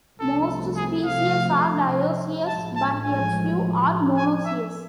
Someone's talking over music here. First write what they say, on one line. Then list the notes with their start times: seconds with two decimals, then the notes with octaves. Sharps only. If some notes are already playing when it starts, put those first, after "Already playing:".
Most species are dioecious, but a few are monoecious.
0.19 C2 C3 F3 A3 A4
0.76 G#4
1.05 F5
2.46 A1 A2 F3 G#3 A5
2.76 A5
3.04 G#5
4.17 G#5
4.46 E5